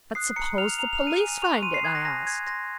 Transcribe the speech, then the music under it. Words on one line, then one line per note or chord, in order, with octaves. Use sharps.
"But suppose the police find it?" I asked.
D#6 F#6 C7
A#5 C#7
F6 F7
A#5 F7
F7
F6
D#7
G#5
C#6 F#6 F7
C6 D#7
C7
D#6 F#6 G#6
A#6
G#5 A#6
D#6 F#6 G#6
C6 A#6